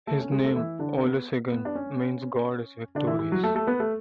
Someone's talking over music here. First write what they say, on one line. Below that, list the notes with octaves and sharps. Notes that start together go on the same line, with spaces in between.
His name, Olusegun, means "God is victorious".
A3 A4
C#4
G#3 G#4
A3 A4
E3 E4
D3 D4
B3
B3
D4
C#4
D3 D4
E3 E4
E3 E4
F#3 F#4
A3 A4
A3 A4
B3 B4
A3 A4